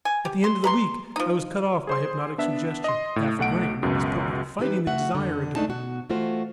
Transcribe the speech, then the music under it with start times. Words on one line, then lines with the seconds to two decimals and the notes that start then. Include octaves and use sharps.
At the end of the week I was cut off by hypnotic suggestion half a grain and this put me to fighting the desire again.
0.05 G#5
0.25 G4
0.44 C6
0.64 B4 A#5 C6
1.16 F3 D#4
1.87 G#4 C5 C6
2.38 B3 D4 E5
2.84 D#5 C6
3.16 A2
3.39 B1 A3 F#5 D7
3.83 C#2 F#2 B2
4.59 E3 D#4 G4 B4
4.87 A3 F#4 E5 F#5
5.15 F2 D3
5.56 D2 G#3 A3 D4 D#4 A5
5.68 B2 F#4
6.09 E3 A3 F4 F#4 C5